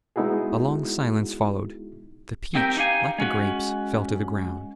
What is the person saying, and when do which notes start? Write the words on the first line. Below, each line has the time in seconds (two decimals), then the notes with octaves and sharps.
A long silence followed; the peach, like the grapes, fell to the ground.
0.16 G#3 B3 D#4 E4 F#4 G#4
2.55 C4 D#4 G4 A#4
2.77 D#4 G4 F5 G#5
3.18 G#3 C#4 F#4